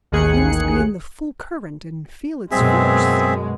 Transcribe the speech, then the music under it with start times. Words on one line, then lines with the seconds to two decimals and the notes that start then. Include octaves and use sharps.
You must be in the full current and feel its force.
0.12 A1 D#2 D#3 G#4 F#6 C#7
2.51 F#2 B2 G#3 C4 G#4 E5